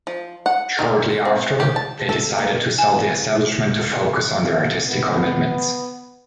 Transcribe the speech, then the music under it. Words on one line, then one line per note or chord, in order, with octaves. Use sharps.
Shortly after, they decided to sell the establishment to focus on their artistic commitments.
F3
F#5
D#3
C4
G4
A5
A4
A#3
G#5
B3